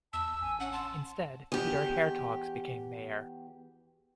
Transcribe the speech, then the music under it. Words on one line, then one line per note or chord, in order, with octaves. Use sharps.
Instead Peter Hertogs became mayor.
E2 A5 E6
A1 G#5
C#4 F#5
A5 C6
E2 G4